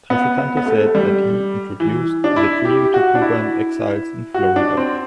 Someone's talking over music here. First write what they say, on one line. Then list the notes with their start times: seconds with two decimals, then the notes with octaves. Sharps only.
Trafficante said that he introduced the trio to Cuban exiles in Florida.
0.10 B3
0.38 B3
0.57 B3
0.66 A3
0.87 A3
0.95 G3
1.80 E3
2.24 D4
2.36 E4
2.65 G4
2.94 F#4
3.15 D4
3.22 E4
4.34 F#4
4.56 D4
4.77 C4